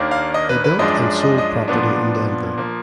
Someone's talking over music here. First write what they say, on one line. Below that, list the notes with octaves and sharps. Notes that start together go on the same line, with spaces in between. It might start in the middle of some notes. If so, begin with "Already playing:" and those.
He built and sold property in Denver.
Already playing: D#2 D#3 A#3 D4
F5
D#5
B4
B4
F#2 F3 G#3 D4 D#5
D#5
D#5
A#2 F3 B3 D4
F3 A#3